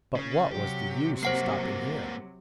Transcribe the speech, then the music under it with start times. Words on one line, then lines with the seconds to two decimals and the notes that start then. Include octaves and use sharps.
But what was the use of stopping here?
0.15 C#3 C#4
0.51 C3 F#3 G4
1.23 G2 A#3 C5 F#5 C7